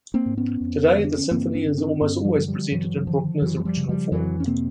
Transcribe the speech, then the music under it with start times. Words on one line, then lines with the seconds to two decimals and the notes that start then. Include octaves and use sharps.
Today the symphony is almost always presented in Bruckner's original form.
0.14 A#3 C4
0.26 G#2
0.37 B3 C#4
0.61 F2
0.96 D3
1.04 D4
1.18 C#4
1.31 G2 A#3 C4
1.55 C4 D4
1.66 D3
1.77 C4 D4
2.01 G2 B3 C#4
2.24 F3 G3
2.36 D3
2.48 F3 G3
2.71 G2 E3 F#3
3.07 D3 D#3 F3
3.42 F#2 E3 F#3
3.60 F#3
3.65 F3 G3
3.77 C#3
3.89 F3 G3
4.12 F2 E3 F#3
4.40 C#4
4.47 C3 A#3 C4